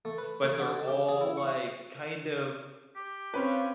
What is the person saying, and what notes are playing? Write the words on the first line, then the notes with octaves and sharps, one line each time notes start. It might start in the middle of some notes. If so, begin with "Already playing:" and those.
but they're all, like, kind of
A3
B4
A3
D3
G4
G#4
E4
C#6
G4
C4 C#4 F4 B4 C#5